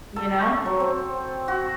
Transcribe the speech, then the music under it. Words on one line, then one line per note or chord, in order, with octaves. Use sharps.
Ya know?
A4
C#6
F#3
C4
F#4